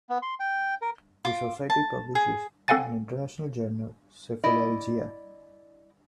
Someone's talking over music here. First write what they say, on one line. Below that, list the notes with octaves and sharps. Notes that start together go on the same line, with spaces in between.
The society publishes an international journal "Cephalalgia".
B3
C6
G5
A#4
F4 D6
A5
G#4
C4 A4 F5 F#5 G#5 A6
E4 D5 D#5